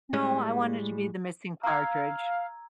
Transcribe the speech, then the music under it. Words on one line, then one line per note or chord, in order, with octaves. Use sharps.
No, I wanted to be the missing Partridge.
A2 G3 G#3
F5 A#5 E6 G#6